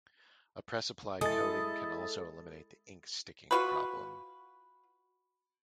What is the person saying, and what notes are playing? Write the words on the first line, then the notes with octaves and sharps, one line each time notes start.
A press-applied coating can also eliminate the "ink sticking" problem.
G#3 E4 A4 D#6 A6
F4 F#4 B4